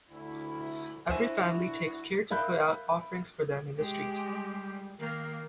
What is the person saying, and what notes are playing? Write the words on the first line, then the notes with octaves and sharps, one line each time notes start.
Every family takes care to put out offerings for them in the street.
D2 E4
D4 E4 F#4 C5 E5 G#5
A#4 E5 F5 B5 F#6 G6
G#3 G4
G3
D#3 A#3